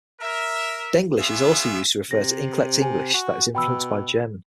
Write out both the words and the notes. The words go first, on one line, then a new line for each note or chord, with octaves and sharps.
Denglish is also used to refer to incorrect English that is influenced by German.
A#4 E5
B3 C#4 F4 G#4 E5
C3 A#6
G#5
F#4
B2 G5 B5 E6